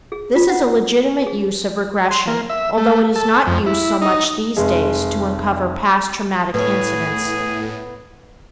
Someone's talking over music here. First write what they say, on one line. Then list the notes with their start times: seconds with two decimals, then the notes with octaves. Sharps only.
This is a legitimate use of regression although it is not used so much these days to uncover past traumatic incidents.
0.12 G#4
0.36 F4
0.49 F#5
1.26 G#4
2.11 C6
2.28 A#3
2.49 E5
2.78 A3
3.16 A4
3.47 F2
3.66 E4
4.02 D#4
4.57 F1 G#3
6.54 A2 B3 G#4 B4 C#5